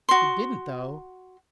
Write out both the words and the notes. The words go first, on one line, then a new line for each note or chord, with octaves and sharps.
"He didn't, though!"
F#4 C6